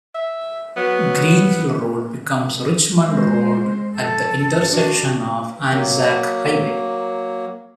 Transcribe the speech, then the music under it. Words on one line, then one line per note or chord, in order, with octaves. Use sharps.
Greenhill Road becomes Richmond Road at the intersection of Anzac Highway.
E5
F#3 B3
G#3 C5
A4
D4 F#4
F#3 A#3